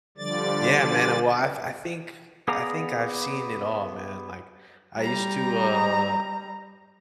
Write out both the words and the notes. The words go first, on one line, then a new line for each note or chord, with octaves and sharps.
Yeah, man, and well, I I think I think I've seen it all, man, like, I used to, uh
D3 F3 G3 D5 A6
B3 G#4 D5 F5 A#5
G3 A#5